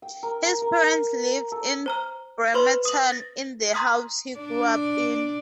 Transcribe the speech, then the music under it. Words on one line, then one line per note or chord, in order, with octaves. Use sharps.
His parents live in Bremerton in the house he grew up in.
G5
A#4
A#4
A#4
A4
C5 A#5 F6
B4 C5 B5 C6 F6
D#6 F#7
A6 A#6
A#5 C6 D#6 F6 B6
D4 D5